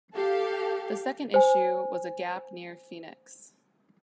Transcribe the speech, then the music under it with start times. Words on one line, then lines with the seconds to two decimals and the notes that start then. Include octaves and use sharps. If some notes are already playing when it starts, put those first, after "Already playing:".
The second issue was a gap near Phoenix.
0.14 G4 A4 F5
1.34 C5 G#5